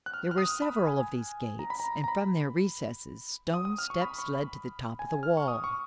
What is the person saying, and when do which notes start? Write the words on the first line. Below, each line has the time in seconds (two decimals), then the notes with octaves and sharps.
There were several of these gates, and from their recesses stone steps led to the top of the wall.
0.06 F#6
0.14 F6
0.31 F6
0.38 D#6
0.62 B5
0.87 G#5
1.59 A#5
1.70 B5
1.80 A#5
2.04 A#5
2.08 B5
3.54 D#6
3.65 D#6
3.78 F6
3.90 C#6
4.02 B5
4.18 C#6
4.35 B5
4.99 G#5
5.23 F6
5.37 C#6
5.48 D#6
5.64 C#6